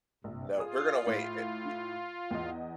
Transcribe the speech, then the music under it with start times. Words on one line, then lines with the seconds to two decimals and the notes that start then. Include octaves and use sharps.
no, we're gonna wait, eh, we
0.24 A#1 G2 C3
0.58 F4 G#4 D#6
1.07 A2
2.31 E2 D#5